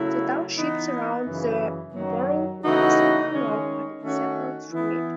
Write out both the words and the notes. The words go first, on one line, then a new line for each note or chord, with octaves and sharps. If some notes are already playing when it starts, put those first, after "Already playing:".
The township surrounds the borough of Slippery Rock but is separate from it.
Already playing: C#3 F#3 A3 E4
E3 B3 D#4
F#2 C#3 E3
F#2 D#3 F#3
C#3 E3 A3 D#4 F#4
D#3 G#3 C#4
D#3 A3 C#4 F#4
E3 B3 E4